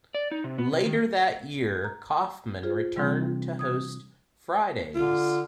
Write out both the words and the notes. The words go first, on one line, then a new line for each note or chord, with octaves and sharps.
Later that year, Kaufman returned to host "Fridays".
D5
D#4
C3
B3
C3
D#3
A#5
F4 G#4 C5
C3 E3 G3 C4 D4 C6
D#6 G#6
D3 F4